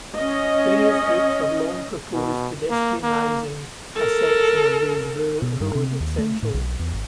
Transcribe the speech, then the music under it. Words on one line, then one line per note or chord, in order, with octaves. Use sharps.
Various groups have long proposed pedestrianising a section of Des Voeux Road Central.
C#4 D#5
B2
A#3
A#3
A4 A#4
B2
G2
C3
D#2
A3
A2
B1
E2
G#1